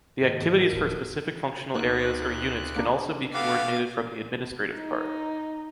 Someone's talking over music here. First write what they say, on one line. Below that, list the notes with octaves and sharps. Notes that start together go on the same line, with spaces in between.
The activities for specific functional areas or units can also be coordinated from the administrative part.
G#2 D#3 A#3 D#5
A#4
D1 F3
D2 A#3 C4 D#4 F#6
A#3 D4 A#5
A3 B3 F#4 G4 F5 D6
D#4